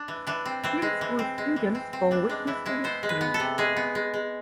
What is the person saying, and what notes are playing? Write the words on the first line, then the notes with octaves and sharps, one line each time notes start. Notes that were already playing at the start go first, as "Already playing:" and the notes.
Flint School students bore witness to history.
Already playing: D4
E3
E3 D4
C4
E3 C4
G#3
E3
C4
G#3
E3
C4
C4
E3 D4
G#3 D4
E3 E4
G#3 E4
B3 C5
G#3
B4
B3
A4
C3
G#3 G#4
B3
G#3
G#3